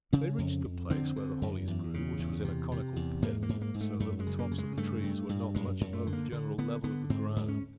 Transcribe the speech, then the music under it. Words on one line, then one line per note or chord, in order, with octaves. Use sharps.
They reached the place where the hollies grew, which was in a conical pit, so that the tops of the trees were not much above the general level of the ground.
C#3 C#4
F2
F2
D3 C4
D3
F#2
E2
C#3
E2
C3
C3
E2
G#2 A#3
A#3
G#2
A#3
G#2
A3
F#2 A3
G#3
C#3
A#3
C#3
G#3
G2 A3
G2
G2
F#2 G#3
F#2
A3
D3
A#3
D3
D3 B3
D3 B3
G#2 C4
G#2
C#4